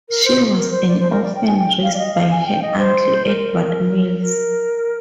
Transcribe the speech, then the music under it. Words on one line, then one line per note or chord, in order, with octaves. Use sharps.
She was an orphan raised by her Uncle Edward Mills.
A#4
C5
A#4
C5
D5
C5
A#4
D5
G5
G#5
G5
F5
D5
D#5
F5
G#5
G#5
G5
D#5
C5
A#4
A#4